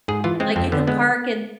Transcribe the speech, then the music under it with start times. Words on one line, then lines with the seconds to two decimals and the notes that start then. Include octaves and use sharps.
Like you can park and
0.08 G#2 G#4
0.24 E3 F4
0.40 G#3 C4
0.56 F2 C4
0.72 D3 B3
0.87 G#3 B3